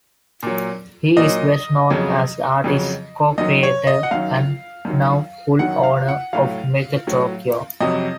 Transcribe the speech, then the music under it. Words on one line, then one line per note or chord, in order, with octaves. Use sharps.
He is best known as the artist, co-creator, and now full owner of "Megatokyo".
A#2 F#3
A#2 F#3 D#5
F2 C#3 F#3
F2 C#3 F#3
F#2 D#3 F#3 D#5
C#5
D#5
F#5
F#2 D#3 F#3 F5
F#2 D#3 F#3
F#2 D#3 F#3 F#5
F5
F#5
A2 F#3 F5
A2 F#3
F2 C3 F#3 D#5